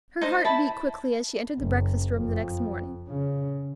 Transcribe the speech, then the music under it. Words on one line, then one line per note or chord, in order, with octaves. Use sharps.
Her heart beat quickly as she entered the breakfast-room the next morning.
D#4 C5 D#5
E4 A5 B5
F#1
F2
C#3